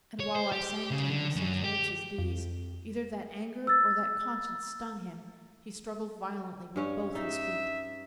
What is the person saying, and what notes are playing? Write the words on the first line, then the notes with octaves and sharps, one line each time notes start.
And while I sang to him such notes as these, Either that anger or that conscience stung him, He struggled violently with both his feet.
C#5
C5
G4
C#3
D3
F#2
G4
F2
E6 A6
G2 C#4 C#5
D#4 E5